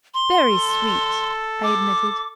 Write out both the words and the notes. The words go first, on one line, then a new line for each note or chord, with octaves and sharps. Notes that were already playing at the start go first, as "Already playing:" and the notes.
'Very sweet,' I admitted.
C6
A4
D6